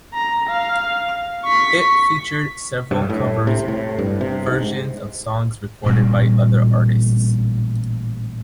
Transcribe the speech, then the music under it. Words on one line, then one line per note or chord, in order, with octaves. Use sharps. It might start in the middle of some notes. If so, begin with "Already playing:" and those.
It featured several covers versions of songs recorded by other artists.
A#5
F5
C#6 B6
G2
A2
C3
A2
G2
C3
G#2
A1 A#2 G3 C4